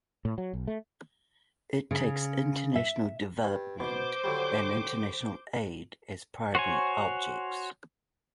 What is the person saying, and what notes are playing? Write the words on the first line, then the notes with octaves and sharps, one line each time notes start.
It takes international development and international aid as primary objects.
A2
F#3
B1
A3
C#3
E5
G2
B2 C5 D6 G6
D3 F#3 G3
F#4 C5 C#5 G#5